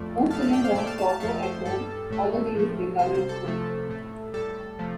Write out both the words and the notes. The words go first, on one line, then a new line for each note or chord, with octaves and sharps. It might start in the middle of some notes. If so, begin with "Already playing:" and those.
Most children learn Toto at home, although they use Bengali in school.
Already playing: F2 F3 A3 D5
F2 F3 A3 F5 A5
F5 A5
D5 G5
C5 F5
A2 A3 D5 G5
F5 A5
F5 A5
F5 A5
F2 F3 A3 F5 A5
C5
G2 G3 A4
A2 A3
A2 F3 A3
C3 G3 C5
C5
A4
C3 F3 A3
A2 A3
A2 G3 A4
C3 F3 A3